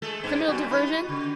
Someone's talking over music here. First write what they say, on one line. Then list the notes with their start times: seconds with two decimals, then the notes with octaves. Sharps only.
Criminal diversion?
0.02 G#3 A3 A4
0.23 G2 B3
0.48 F#2 G3 F#4 G#5
0.71 B3 D#4 B4
1.09 C#3